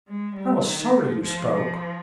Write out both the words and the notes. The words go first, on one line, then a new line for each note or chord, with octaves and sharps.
I was sorry you spoke.
G#3
G3
D#3
F3
F3
F3